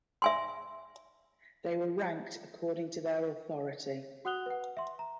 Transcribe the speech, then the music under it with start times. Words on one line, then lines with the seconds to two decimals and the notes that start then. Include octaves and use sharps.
They were ranked according to their authority.
0.22 E5 G#5 C6
4.25 F#4 F#5 D#6 F#6 F7 G7
4.46 B4 F#5
4.77 E5 C6
4.99 A#5